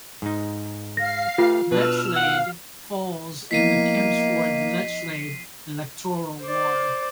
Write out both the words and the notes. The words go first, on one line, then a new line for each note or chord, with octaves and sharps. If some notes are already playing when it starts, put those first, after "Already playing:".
Lechlade falls in the Kempsford-Lechlade electoral ward.
G#2 D#4
F5 A#6 C7
A3 F4 G4 B4
B2 D4 B4 E6 F6
F5 F#5
F3 A#3 B3 E4 D#5 B6 C7 D#7
C5 D5